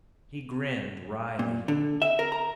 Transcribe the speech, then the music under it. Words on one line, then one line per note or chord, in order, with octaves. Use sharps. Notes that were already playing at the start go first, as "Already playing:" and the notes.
He grinned wryly.
A#2
D3
E5
A#4
A#5